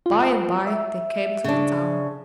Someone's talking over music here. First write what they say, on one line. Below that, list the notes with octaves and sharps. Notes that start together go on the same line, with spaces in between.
By and by they came to the town.
F4
E5
C#3 D4